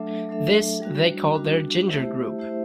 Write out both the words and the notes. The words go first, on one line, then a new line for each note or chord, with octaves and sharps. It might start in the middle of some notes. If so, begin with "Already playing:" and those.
This they called their Ginger Group.
Already playing: F#3 A3 D4 A4 E5
F#3 A3 D4 A4 E5
G3 D4 F#4
G3 D4 F#4
A3 E4 G4 C5 E5
A3 E4 G4 C5 E5